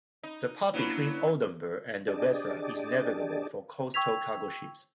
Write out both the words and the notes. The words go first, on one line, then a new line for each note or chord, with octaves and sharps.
The part between Oldenburg and the Weser is navigable for coastal cargo ships.
D#4
F#3 A#3 B3 C#4 D4 E4
D4 G4 G#4 D5 D#5 A5
G5 C#6 E6 G#6 B6 F7